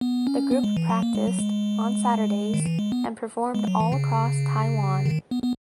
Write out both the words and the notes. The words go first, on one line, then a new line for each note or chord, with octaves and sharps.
The group practiced on Saturdays and performed all across Taiwan.
B3
C#4
B3
G#3
E3
F#3
A#3
G#3
F#3
G#3
D#3
E3
G#3
B3
G#3
F#3
E3
C#3
D#3
B3
B3